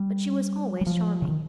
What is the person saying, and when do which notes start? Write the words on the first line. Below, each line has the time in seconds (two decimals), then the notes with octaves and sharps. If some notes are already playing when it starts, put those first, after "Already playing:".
But she was always charming.
Already playing: G3
0.81 G3
0.87 F3
1.22 C#3
1.29 D#3